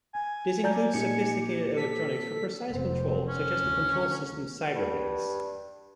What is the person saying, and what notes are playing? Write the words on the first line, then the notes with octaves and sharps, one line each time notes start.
This includes sophisticated electronics for precise control, such as the control system Cyberbase.
G#5
F#3 D5 A5 A#5 G6
A#2 G#3 D#4 G4 C#7
A4 B6
F1 C4
C#4
D2
G2